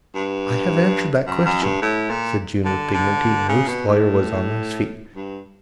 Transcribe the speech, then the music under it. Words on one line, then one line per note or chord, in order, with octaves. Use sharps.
"I have answered that question," said June with dignity and Rufe's lawyer was on his feet.
G2
F#2
F#2
G2
A2
A#2
D3
D3
C#3
B2
A2
G2